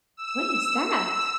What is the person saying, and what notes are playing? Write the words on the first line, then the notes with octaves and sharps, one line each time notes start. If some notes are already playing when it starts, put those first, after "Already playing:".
What is that?
E6